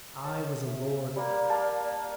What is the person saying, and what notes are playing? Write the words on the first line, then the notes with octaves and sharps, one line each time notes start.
I was a lord.
C#5 A5
E5
G3 A#3 C5 D5
A#3 F5 A5